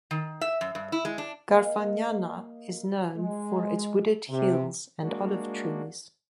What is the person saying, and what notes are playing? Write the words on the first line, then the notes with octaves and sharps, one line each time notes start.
Garfagnana is known for its wooded hills and olive trees.
D#3
E5
F#2
G2
E4
G#3
D4
A#3 D#5 F5
G#3
C3
G#3 A#3 D4 F#4